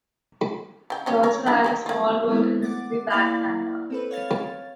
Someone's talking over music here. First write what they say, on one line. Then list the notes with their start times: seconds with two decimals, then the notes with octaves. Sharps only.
She also had a small role in the movie "Bad Santa".
0.90 C#3 G5
1.06 C#3 C#4 G4
1.23 A#4 C#5
1.46 D4 E4 G4
1.64 G4 G#4 A#4
1.86 A#3 F4
2.28 G#3 B3 C4 E4
2.62 F#5 D6 A6
3.10 A#3 E4 D5 F5
3.90 C4 A4 B4
4.11 C#5 F5 A6